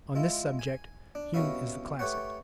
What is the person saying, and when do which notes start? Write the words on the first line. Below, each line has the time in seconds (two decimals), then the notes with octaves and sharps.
On this subject Hume is the classic.
0.15 G#3 E4 F4
0.59 G#5
1.15 D4
1.34 C2 B2 C#4 E4 F5 B5
1.99 A3 G4 B4 C#5 F#5